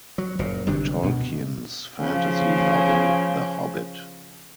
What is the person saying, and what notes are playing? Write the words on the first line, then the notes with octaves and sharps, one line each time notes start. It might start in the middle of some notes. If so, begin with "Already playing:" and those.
Tolkien's fantasy novel "The Hobbit".
F#3
F#1 A#2
G1 C3 F#3 D4
D2 B2
C#3 F3